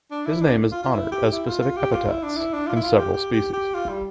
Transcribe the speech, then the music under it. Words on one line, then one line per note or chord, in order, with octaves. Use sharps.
His name is honoured as specific epithets in several species.
D4
E4
D4
F4
F4
E4
G4
E4
F4
F4
G4
F4
E4
D4
E4
D4
F4
E4
F4
G4
G4
G4
G4
F4
G3